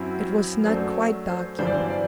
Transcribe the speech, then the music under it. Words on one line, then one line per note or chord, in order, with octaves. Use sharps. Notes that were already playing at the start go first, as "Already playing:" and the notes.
It was not quite dark yet.
Already playing: F#2 F#3 C4 E4
F#2 F#3 A3 D4 C5
C5
G1 F#2 E3 G3 D4 C5
D5
C5
D5